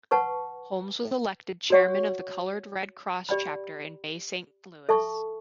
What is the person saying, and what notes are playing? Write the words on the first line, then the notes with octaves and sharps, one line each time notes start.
Holmes was elected chairman of the Colored Red Cross chapter in Bay Saint Louis.
B4 F#5 A5 C#6
F#4 C#5 F#5 C#6
G4 D5 G5 B5
A4 E5 A5 C#6